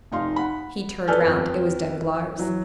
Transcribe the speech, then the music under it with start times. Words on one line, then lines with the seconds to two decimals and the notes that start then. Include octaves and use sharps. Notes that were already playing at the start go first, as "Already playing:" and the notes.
He turned round; it was Danglars.
0.12 F1 D#4 F5 C6
0.36 F#5 B5
1.08 A4 B4 D5 G#5 F6 G6
1.21 F2 B3
2.37 E3 F#3